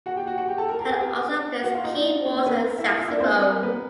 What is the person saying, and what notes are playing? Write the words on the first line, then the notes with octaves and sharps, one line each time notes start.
Ted also plays keyboards and saxophone.
F#4 F#5
G4 G5
F#4 F#5
F#4 F#5
G4 G5
A4 A5
A#4 A#5
A#4 A#5
G#4 G#5
G4 G5
F#4 F#5
F4 F5
D#4 D#5
D4 D5
C#4 C#5
C4 C5
B3 B4
A#4
A#4
E4 E5
F4 F5
E4 E5
D4 D5
C4 C5
B4
A#4
B3 B4